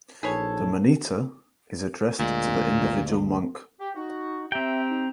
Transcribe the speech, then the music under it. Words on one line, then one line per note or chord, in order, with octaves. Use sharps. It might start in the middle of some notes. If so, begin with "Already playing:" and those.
The "Monita" is addressed to the individual monk.
A#1 D#4 G#4 A4 B4 C#5 G#6
D2 A#2 G#3
G4 G5
D#4 F#4
C4 G4 E5 G5 A#5
D#4